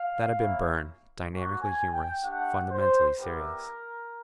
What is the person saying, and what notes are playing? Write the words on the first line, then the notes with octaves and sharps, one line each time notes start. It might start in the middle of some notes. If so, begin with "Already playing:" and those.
That had been Burne, dynamically humorous, fundamentally serious.
Already playing: F5
A#3 C#4 E4
A#3 C#4 F#4
G#5
G5
A3 D4 G4 F#5
C5
G3 B3 E4 G4 A#4